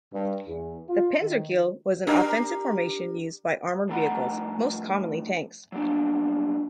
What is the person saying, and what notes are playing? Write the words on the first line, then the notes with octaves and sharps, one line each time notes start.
The "panzerkeil" was an offensive formation used by armoured vehicles, most commonly tanks.
G2
E2
F4
D#3
D4 G4 A#4
F2 A2 A3 A#4 F#5 B5
F#3 G3 A#3 D4